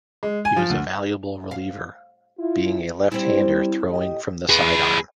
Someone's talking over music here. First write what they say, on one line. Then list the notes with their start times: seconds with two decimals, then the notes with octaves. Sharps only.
He was a valuable reliever, being a left-hander throwing from the sidearm.
0.23 G#3
0.45 G#5
0.56 F3
0.70 D2
1.51 F5
2.39 E4 F4
3.12 G3 C4 E4
3.87 A2 G4 D#5
4.49 G#4 B4